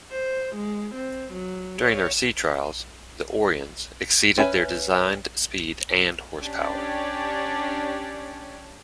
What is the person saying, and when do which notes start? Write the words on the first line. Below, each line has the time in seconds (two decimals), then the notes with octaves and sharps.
During their sea trials, the "Orion"s exceeded their designed speed and horsepower.
0.11 C5
0.55 G#3
0.94 C4
1.33 F#3
1.82 C#5
4.38 C#4 B4 E5 G#5
6.40 C#4 D4 G4 C#5 D5